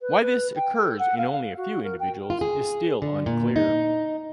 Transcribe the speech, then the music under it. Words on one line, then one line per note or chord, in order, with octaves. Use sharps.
Why this occurs in only a few individuals is still unclear.
B4
B4
G5
A4
F#5
F5
F5
F#4
A#4
G5
F4
G#4
D3
A#2
D#4